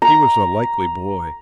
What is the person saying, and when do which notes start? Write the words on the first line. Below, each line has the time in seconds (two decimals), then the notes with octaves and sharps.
He was a likely boy.
0.02 A#5